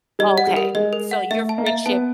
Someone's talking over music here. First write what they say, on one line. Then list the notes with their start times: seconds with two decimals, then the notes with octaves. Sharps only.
Oh, okay. So, your friendship
0.19 G3 D#5
0.38 F#5
0.47 G3
0.57 A#4
0.75 G#3 D#5
0.93 A#4
1.11 F#5
1.30 A3 E5
1.49 A5
1.58 A#3
1.67 E5
1.86 B3 A5